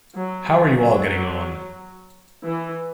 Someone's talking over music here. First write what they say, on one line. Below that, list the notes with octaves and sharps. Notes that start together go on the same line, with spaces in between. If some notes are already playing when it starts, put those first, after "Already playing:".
How are you all getting on?
F#3
F#3
E3